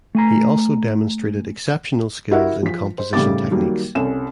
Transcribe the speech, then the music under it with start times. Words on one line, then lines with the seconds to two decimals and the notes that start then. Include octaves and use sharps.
He also demonstrated exceptional skills in composition techniques.
0.15 A3 G#5 A#5
2.31 E4 F#4 G4 A#4 E5 F#5
2.63 F3 B6
2.98 C5
3.13 A2 C#3 G3 D#4 D6 A6
3.51 D#3 F#3 G3 A#3
3.95 C2 C#4 A4 E7